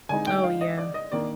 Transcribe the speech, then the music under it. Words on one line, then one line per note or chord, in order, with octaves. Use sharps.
Oh, yeah.
D3 G#3 D#4 G#5
G5
F5
D#5
D5
D#5
D#3 A#3 D4 D5